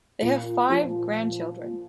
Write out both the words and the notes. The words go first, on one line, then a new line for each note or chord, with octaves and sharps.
They have five grandchildren.
A#2
F3